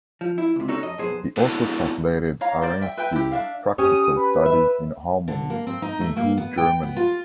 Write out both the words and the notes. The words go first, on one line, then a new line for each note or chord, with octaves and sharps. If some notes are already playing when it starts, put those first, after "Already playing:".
He also translated Arensky's 'Practical Studies in Harmony' into German.
F3
E4
C#2 C3
C#4 D#4 F#4 A4 C#5
F2 D#5
B1 F2 F#3 B3 G#4 C5
A3 B3 D4 E4 F#4
C#5 F5 A#5
A#4 C5 D5
E5 G5
B4 E5 G5
E4 G4
D4 E5 F5
C#4 G4 C#5 D#6
B4
E5
D3
A#3
C4
D#4
A3
A#3
B3
G5
B3
F4